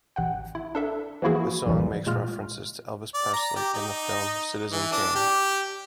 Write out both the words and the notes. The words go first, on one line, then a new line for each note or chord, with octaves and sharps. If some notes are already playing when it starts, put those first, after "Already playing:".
The song makes references to Elvis Presley and the film "Citizen Kane".
A1 F#5 G5
E4
D4 A4 E5
E3 F3 A#3 E4 F#4 G#4
B1 F2 A2 D3 E3 G3
A#2 G#3 F4 F6
D5
A#5
G4
D#4
E3
D4
G4